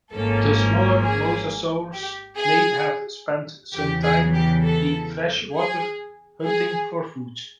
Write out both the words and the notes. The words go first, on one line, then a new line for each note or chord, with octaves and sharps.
The smaller mosasaurs may have spent some time in fresh water, hunting for food.
G#1 G#2 F3 A#3 C#4 A4
G#4
G4
G#4
E2 C#3 E3 G4
G#4
G4
A4
G#4
G#4